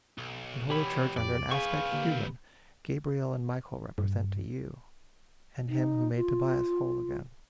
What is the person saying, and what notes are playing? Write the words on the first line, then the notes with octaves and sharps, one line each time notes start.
And Holy Church under an aspect human Gabriel and Michael represent to you, And him who made Tobias whole again.
B1
B2 E3 G4 C#5 B5
F2 D5
C4 G#4 B4 F5 G#5 C#6
D3 A#3 G4
G2
D#4
F4